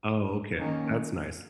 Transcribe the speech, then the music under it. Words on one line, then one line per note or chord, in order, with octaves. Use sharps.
Oh, okay. That's nice.
D#3 A#3 C#4